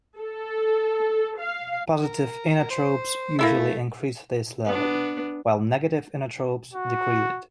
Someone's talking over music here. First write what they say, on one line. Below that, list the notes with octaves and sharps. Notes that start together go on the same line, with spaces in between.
Positive inotropes usually increase this level, while negative inotropes decrease it.
A4
F5
A#4
C5
A3 A#3 E4 E5
B3 D4
F#4